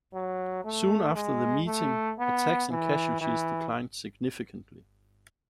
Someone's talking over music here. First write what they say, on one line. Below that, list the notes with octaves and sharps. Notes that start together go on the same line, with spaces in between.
Soon after the meeting, attacks and casualties declined significantly.
F#3
A3
G#3
A3
B3
E3
E3